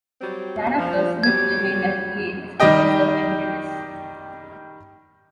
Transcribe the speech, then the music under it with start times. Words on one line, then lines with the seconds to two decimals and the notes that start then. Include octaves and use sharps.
Thereafter, Smith remained at Yale as professor emeritus.
0.21 F#3 G3 C4
0.77 F3
1.23 F#3 G3 G4 G#6
2.60 D#3 G3 G4 D#5 G5